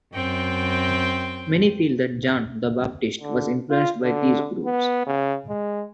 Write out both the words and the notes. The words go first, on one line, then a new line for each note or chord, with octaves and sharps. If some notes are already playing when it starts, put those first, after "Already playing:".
Many feel that John the Baptist was influenced by these groups.
F#2 C4 G5
D3
F4
D3
B3
C#3
G#3